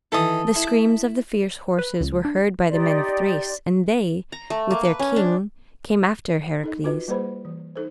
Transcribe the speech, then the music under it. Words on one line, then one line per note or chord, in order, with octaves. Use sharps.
The screams of the fierce horses were heard by the men of Thrace, and they, with their king, came after Heracles.
D#3 E3 A4 D#6
E4
B4
C#2
D4
D#4 G4 D5 C6
A#5
A3
A#3
B4
C#4
D4
D#4 A4 D#5
F4 F#4 B4 D#5
G3 A#3 G#4 B4 C5 B5
E3
D#4 A4 C5